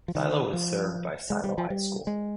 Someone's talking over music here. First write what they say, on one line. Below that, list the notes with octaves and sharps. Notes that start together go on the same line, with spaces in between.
Silo is served by Silo High School.
F3
D#3
F3
G#3
G3
F3
G3
G#3